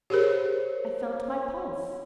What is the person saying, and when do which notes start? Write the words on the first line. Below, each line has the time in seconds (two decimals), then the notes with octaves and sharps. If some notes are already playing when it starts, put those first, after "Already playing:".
I felt my pulse.
0.10 G4 G#4 A#4 C5 C#5